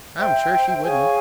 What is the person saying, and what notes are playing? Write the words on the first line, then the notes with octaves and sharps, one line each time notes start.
"I'm sure she wouldn't."
C5 E5 G5
G#4 C#5 F5 G#5